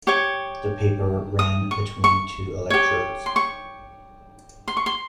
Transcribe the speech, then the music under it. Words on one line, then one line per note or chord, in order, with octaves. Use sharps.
The paper ran between two electrodes.
G4 C#5 C#6
D#6
C#6
C#6
G4 C#5
C6
C#6
C6
C#6
C6